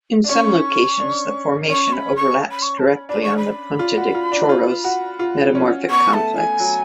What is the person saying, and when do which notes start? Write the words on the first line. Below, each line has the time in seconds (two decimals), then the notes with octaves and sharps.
In some locations the formation overlaps directly on the Punta de Choros Metamorphic Complex.
0.24 D4
0.29 C#4 C#6
1.00 D4
1.69 C#4 C#6
1.93 B5
2.16 C#6
2.51 B5
2.62 C#6
2.79 A5
2.86 B5
3.09 D4 B5
3.23 C#6
3.37 B5
3.79 F4
3.97 F#4
4.15 F4
4.32 D4
4.49 F4
4.84 F#4
5.19 F4
5.55 C#4
5.90 B3 C#6
6.14 A3 A5
6.37 G#5
6.60 F#3